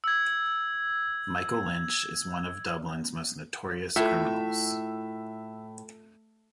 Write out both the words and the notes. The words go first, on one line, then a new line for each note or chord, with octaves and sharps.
Michael Lynch is one of Dublin's most notorious criminals.
E6 G#6
A2 F4 A4 E5